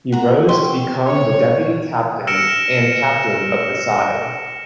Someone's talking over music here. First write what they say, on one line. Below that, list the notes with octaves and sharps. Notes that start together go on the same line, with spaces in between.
He rose to become the deputy captain and captain of the side.
F#4 A#5
G4 C6 C#6
C#5
E6 F6 A#6 C#7 D7 E7